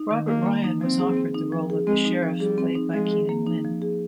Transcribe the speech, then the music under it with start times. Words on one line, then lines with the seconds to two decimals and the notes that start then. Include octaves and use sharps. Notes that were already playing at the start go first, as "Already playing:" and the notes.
Robert Ryan was offered the role of the Sheriff played by Keenan Wynn.
Already playing: D#4
0.11 D#3
0.28 D#3 A#3
0.46 A#3
0.64 D#4
0.81 F3 C4
0.99 G#4
1.17 C4
1.35 D#4
1.52 F3
1.70 G#4
1.87 G#3 C4
2.05 D#4
2.23 F3
2.40 G3 G#4
2.58 C4
2.75 D#4
2.94 F3 G#3
3.11 G#4
3.29 A#3
3.47 D#4
3.64 F3
3.82 G#4